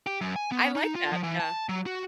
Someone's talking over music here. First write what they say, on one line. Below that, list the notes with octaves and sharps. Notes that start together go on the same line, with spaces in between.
I like that, yeah.
G4
F#2
G#5
B3
D#4
F4
F3
E3
A5
F#3
F#4